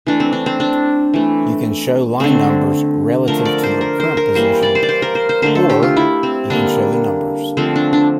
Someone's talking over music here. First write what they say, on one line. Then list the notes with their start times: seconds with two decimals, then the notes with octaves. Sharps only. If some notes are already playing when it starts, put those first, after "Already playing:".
You can show line numbers relative to your current position, or you can show the numbers.
0.07 E3 A3 D4
0.20 C4
0.33 D4
0.46 C4
0.60 D4
1.14 E3 A3
2.20 D3 A3 C4
3.28 D3 F3 A3 A#4
3.45 D5
3.63 C5
3.81 A#4
4.00 C5
4.17 A#4
4.35 E3 G3 A#3 C5
4.62 D5
4.75 C5
4.83 D5
4.89 C5
5.02 A#4
5.15 C5
5.29 C5
5.42 D3 A3 C5
5.55 A4
5.70 G4
5.83 F4
5.97 E4
6.23 C4
6.50 D3 G3 A#3 D4
7.57 D3 F3 A3 C4
7.76 D4
7.93 D4